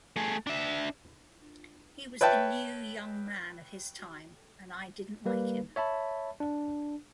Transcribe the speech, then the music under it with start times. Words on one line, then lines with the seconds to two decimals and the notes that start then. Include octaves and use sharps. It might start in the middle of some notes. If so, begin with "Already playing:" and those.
He was the New Young Man of his time and I didn't like him.
0.16 A3 G#4
0.47 D4 E5
2.21 B4 C#5 E5 G5 A5
5.26 G3 A#3 B4
5.76 C#5 E5 A5 B5
6.40 D4